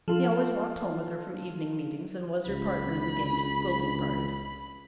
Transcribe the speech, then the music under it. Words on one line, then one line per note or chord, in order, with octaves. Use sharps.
He always walked home with her from evening meetings and was her partner in the games at quilting parties.
F3 F4 A4
C#2 B5